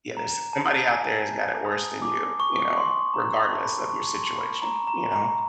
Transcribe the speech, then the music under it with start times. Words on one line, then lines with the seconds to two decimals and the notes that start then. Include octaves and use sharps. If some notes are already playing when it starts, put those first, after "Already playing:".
Yeah, there's somebody out there whose got it worse than you, you know, regardless of your situation, you know?
0.17 A#5
0.53 A5
0.92 G#5
1.28 A5
1.65 D#6
2.02 D6
2.40 C#6
2.77 C6
3.14 A#5
3.38 A5
3.64 B5
3.89 C#6
4.13 C6
4.38 B5
4.62 A#5
4.87 A#5
5.12 A#5